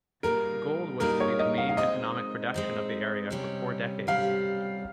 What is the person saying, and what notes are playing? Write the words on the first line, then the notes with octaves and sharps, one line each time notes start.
Gold was to be the main economic production of the area for four decades.
A#2 G3 A#3 D#4 G#4 A#4
A#2 G3 A#3 D#4 G#4 A#4
C#5
D#5
F5
F5
G#3 C4 D#4 D#5
G#3 C4 D#4
C3 G3 C#4 G4
C3 G3 C#4 G4 F5